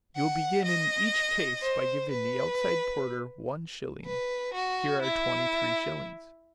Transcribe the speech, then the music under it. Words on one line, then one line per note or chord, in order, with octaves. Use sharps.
"You will begin in each case by giving the outside porter one shilling. Here are twenty-three shillings."
F#5
D#5
C5
B4
B4
F#4
E4